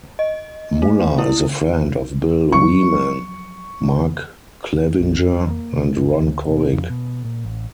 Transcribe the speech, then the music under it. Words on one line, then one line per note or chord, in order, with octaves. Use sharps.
Muller is a friend of Bill Wieman, Mark Clevinger, and Ron Kovic.
D#5
A3
E4
F3 F#3 C#6
A#1
F#2
F#3
A#3
C3
F#1
D2
B2
F2
B2
A#2
A1